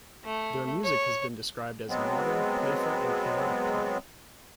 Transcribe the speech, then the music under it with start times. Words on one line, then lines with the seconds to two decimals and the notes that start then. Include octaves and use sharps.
Their music has been described as modern, playful and chaotic pop.
0.24 A3
0.84 C#5
1.89 F#3 G#3 B3 C4